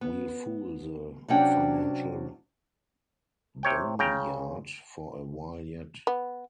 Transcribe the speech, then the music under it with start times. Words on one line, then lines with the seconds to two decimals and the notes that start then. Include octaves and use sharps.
We'll fool the financial boneyard for a while yet.
0.01 B3
1.28 C3 F#3 C#4 D4 F#5 G5
3.63 C3 C#5 G5
3.99 C#3 G5 A#5
6.07 B3